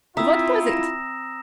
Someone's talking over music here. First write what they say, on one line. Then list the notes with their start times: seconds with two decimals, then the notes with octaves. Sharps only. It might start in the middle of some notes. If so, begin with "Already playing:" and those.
"What was it?"
0.17 C4 E4 F4 E5 A#5 D#6 E6
0.67 A#6 E7